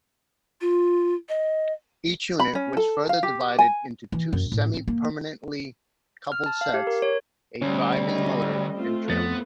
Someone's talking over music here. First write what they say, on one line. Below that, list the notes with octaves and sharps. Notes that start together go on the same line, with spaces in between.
Each unit was further divided into two semi-permanently-coupled sets, a driving motor and trailer.
F4
D#5
B5
C#4
A4
F5
G4
G#5
E3
F#2
A2
C4
A#3
F6
A5
F5
G4
A#4
C#5
D2 G3 C#4
F#3 D#5
A3 C4 F4
F2 B3 A6